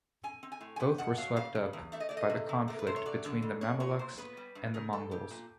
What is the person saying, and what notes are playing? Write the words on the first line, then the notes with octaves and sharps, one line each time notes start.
Both were swept up by the conflict between the Mameluks and the Mongols.
C4 G#5
C4
G#5
A2
G#5
B3 G5
B2 F#5
F#3 F5
C#3 F5
C#3
E2
A3 E5
D#5
A3 D5
D#5
C3
C3
A3 A#4
B4
C3 C5
C#5
F#3 D5
D3
F2
A#2 C#5
A#2 C#5
A#2 C5
B3 B4
G3
G2
C#3 A#4
F2 A4
F2 G4
A#2